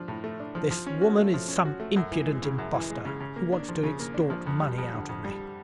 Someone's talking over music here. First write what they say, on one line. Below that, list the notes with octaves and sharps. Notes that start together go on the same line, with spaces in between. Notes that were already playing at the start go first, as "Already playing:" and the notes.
This woman is some impudent impostor, who wants to extort money out of me.
Already playing: F3 D4
A2
A3
D4
F3
F3
C#4
F#4
A3
F3
C#4
F#4
A3
F#2
E3
G#3
C#3
F#2
E3
G#3
C#3
C#3
A#3
D4
F3
C#3
A#3
D4
F3
F2
G3
F2
D3
F2
G3